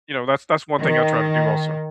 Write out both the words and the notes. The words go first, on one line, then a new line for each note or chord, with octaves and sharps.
you know, that's that's one thing I try to do also.
D#3